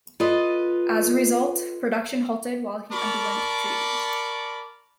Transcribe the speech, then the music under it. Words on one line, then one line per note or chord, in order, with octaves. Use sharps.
As a result, production halted while he underwent treatment.
F4 A4 B4 D#5
A#4 D5 A5 B5 C#6 D6